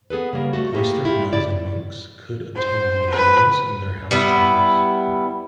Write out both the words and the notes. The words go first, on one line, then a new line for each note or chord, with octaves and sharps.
Cloistered nuns and monks could obtain the indulgence in their house chapels.
B3 G#4 A4 B4
C#3 G3 A#3
A3 F#4
A3 A#3 D#4 E4 G4 G#4
E4 F4 G4
G#2 C#3 E4 D5
C5
B4
G3 B3 E4